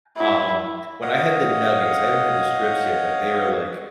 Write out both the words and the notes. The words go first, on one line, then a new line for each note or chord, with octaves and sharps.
Um, when I had the nuggets, I haven't had the strips yet, but they were like,
E4
C#5 D#5 F5 F#5 D#6